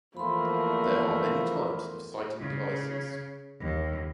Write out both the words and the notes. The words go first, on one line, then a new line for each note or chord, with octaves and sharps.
There are many types of sighting devices.
E2 F3 A3 A#3 B5 C6
C#3
D#2